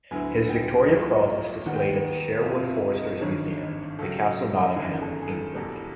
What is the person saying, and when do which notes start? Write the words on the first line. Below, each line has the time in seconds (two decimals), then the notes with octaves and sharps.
His Victoria Cross is displayed at the Sherwood Foresters Museum, The Castle, Nottingham, England.
0.11 D2 D3 F#3 B3 E4 G#5
0.49 G5
0.88 B1 A2 F3 A3
1.66 D#2 D#3 G3 B3 F#5
1.75 G5
1.84 F#5
2.43 G1 F2 C3 F3 F5
2.69 E5
2.95 D#5
3.21 G#1 G2 D#3 G#3 C#5
3.99 C#2 C#3 F#3 A4
4.76 G1 F#2 D#3 G#4
4.91 A#4
5.02 A4
5.22 G#4
5.28 A4
5.53 E1 E2 B2 G3